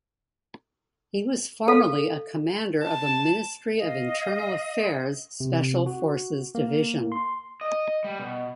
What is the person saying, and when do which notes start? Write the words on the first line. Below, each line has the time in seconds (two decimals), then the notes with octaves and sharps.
He was formerly a commander of a Ministry of Internal Affairs Special Forces division.
1.68 A4 F5
2.82 A5
3.78 D#5 F5
5.40 C3
5.86 F#4
6.55 A#3
7.12 C6
7.61 D#5
8.04 G3
8.19 B2